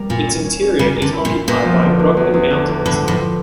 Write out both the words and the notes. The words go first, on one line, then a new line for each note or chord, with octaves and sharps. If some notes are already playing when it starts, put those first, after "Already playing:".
Its interior is occupied by Brugmann Mountains.
Already playing: G3 A#4
A#2 E4
C#4
C#4
C#4
C#3 G3
A#4
D3
E4
A#2
E4
E2 A#2
F3
D3
E2
E2
E2
D3
E2
A2 D3
F3
A2
F3